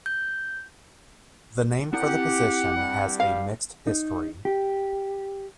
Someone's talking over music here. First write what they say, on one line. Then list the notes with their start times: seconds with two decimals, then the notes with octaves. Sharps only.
The name for the position has a mixed history.
0.06 G6
1.93 C4 E4 G4 F#5
2.76 G2 G3
3.20 F5
3.87 D#4
4.45 G4